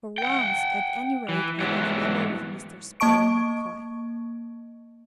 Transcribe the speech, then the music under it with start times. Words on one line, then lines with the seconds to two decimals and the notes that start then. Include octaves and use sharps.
For once, at any rate, I got level with Mister Sparrow MacCoy.
0.18 F#5 G5
1.29 E3
1.60 G#2 E3 F#3 B3 G4
3.00 A#3 D#5 A5 C#6 D7